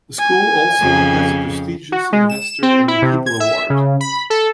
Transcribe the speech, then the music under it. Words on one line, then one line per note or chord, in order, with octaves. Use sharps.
The school also has a prestigious Investor in People award.
G#5
F2 C#3
F#4
G#3
E7
C4
E4
C3
G#6
E5
C#3
B5
A4